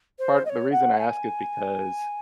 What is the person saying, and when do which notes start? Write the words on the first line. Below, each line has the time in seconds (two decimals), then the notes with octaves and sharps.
Part the reason I ask is because
0.18 C5
0.45 D#5
0.49 C#5
0.72 F#5
0.99 G#5